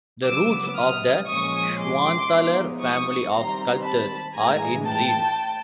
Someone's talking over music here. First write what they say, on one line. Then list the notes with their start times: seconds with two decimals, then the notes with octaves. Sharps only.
The roots of the Schwanthaler family of sculptors are in Ried.
0.25 C#3 F#3 B3 D6 E6
0.76 D#6 F6
1.27 A#2 F3 G#3 C#4 C#6 D#6
1.79 C6 D6
2.30 F3 G#3 B3 D#4
2.81 C#6 D#6
3.32 D#3 G3 C4 A#5 C6
3.84 A5 B5
4.35 A2 E3 G#3 G#5 A#5
4.86 G5 A5